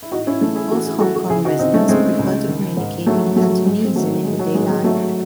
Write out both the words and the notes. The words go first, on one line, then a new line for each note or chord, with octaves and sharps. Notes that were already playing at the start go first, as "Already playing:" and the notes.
Most Hong Kong residents prefer to communicate in Cantonese in everyday life.
E4
A1 D#4 F#4
C#4 E4
E3 A3 C#4
E4 G#4
E3 F#4 A4
E4 G#4
E3 F#4 A4
F#4 A4
C#2 E4 G#4
D#4 F#4
C#2 C4 D#4
A3 C#4
C#2 G#3 C4
C#2
D#3
G#2
G#2 F#3 A3
G#2 F#3 A3
G#2 G#3
C4
A1 F#3 A3
A1 G#3
F#3
A1 G#3
G#3
G#1 F#3 A3